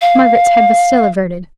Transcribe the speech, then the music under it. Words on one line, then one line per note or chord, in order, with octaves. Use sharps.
Margaret's head was still averted.
F5